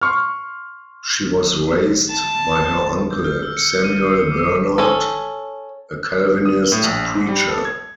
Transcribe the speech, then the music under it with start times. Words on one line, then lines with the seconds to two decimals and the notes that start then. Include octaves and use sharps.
She was raised by her uncle Samuel Bernard, a Calvinist preacher.
0.01 C6 C#6 F6
2.08 A5
3.11 G6
3.24 F6
3.43 E6
3.57 C#7
3.72 F6
3.84 D#7
4.03 C7
4.18 C#7
4.32 D6
4.44 C#7
4.78 C#4 A4
6.45 D#6
6.72 A2
6.84 A#1
7.15 G#2
7.29 G3
7.49 A4
7.65 G#6